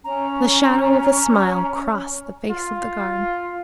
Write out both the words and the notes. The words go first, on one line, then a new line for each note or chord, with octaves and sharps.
The shadow of a smile crossed the face of the guard.
C#4 A#5
F4